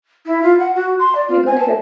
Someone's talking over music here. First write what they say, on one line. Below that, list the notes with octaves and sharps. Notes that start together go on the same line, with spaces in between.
you gonna go"
E4
F4
F#5
F#4
C6
D5
F4
G#5
A5